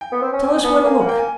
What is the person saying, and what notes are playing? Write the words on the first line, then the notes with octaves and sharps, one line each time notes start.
'Tell us where to look.'
G5
B3
C4
C#4
C4 G#5
G#5
B3 A5
G#5
A#3 G#5
F#5
A#3 G5
G#5